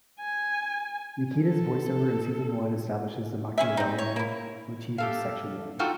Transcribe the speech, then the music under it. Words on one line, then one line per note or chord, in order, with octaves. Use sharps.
Nikita's voice-over in Season One establishes the Machiavellian motif of Section One.
G#5
A4
C#4 G#4 E5
C4 D#4
C#5
A#3 E4
G4 A4 F5
D#4 F4 F#4 A4 G5